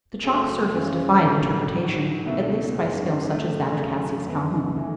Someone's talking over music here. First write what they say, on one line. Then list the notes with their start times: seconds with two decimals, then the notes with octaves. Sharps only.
The chalk surface defied interpretation--at least by skill such as that of Cassius Calhoun.
0.24 F#2 C#3 F#3 A3
0.73 F#2 C#3 E3 G#3 C#4
1.24 A1 A2 F#3
1.74 G#1 G#2 F#3
2.25 C#2 B2 A3 E4
2.75 G#1 F#2 C#3 G#3 C#4
3.25 A1 G#2 D#3 A3
3.75 F#2 C#3 F#3 A3 C#4
4.26 F#1 F#2 E3 B3
4.76 E3 A3 D#4